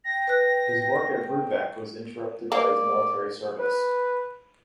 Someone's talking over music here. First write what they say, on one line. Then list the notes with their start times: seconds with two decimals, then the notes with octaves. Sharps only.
His work at Brubeck was interrupted by his military service.
0.05 G5 A#6
0.28 B4 F#6
2.52 A#3 D5
3.59 B4